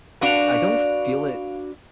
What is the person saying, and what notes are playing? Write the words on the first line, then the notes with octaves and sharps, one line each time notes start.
I don't feel it
D4 F#4 B4 F5 D7 F7